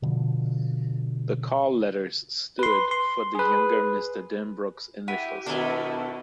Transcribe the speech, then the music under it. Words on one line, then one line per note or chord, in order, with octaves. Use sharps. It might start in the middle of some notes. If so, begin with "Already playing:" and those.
The call letters stood for the younger Mr. Denbrook's initials.
B2 D3 F3
B4 C6
C6
G#4 B4
E4 G4 F#5 B6 D#7
B2 D#3 A3 D4 E4 F#4 A#4 G#5